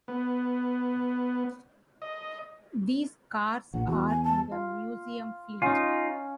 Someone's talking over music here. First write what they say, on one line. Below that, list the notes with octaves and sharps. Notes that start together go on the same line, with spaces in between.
These cars are in the museum fleet.
B3
D#5
A#1 F#5
E2 F#4
G#5
A5
F4
C#4 D#4 F4